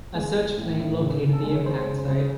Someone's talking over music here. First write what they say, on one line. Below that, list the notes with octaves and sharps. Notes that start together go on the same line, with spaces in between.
A search plane located the impact site.
G#3
G#3
A2
A2
C#3
C#3
A4
G#3
C#5
G#3 C5
C#3
C5
C#3